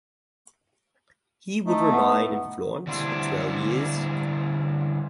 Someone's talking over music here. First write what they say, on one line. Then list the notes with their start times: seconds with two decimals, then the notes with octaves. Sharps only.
He would remain in Florence for twelve years.
1.65 A3 D#4
1.90 B3
2.87 D3 G3 C4 D4 E4